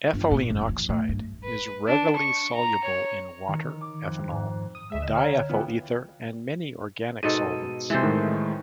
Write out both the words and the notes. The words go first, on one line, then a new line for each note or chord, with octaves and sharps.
Ethylene oxide is readily soluble in water, ethanol, diethyl ether and many organic solvents.
G1
A#2
F#1
F3
A2
G2
B4
D4
C#6
A#5
C#5
D#3
D6
F2
G#2
D#6
D2 G#3 E5 E6
D3 D#5 E7
C#5 F#5 A#5 F6
E3 B3 F4 F5 G5
G#2 B2 A4 D#7
C3 E3 G#3 A4 C5
A2 D#3 G#3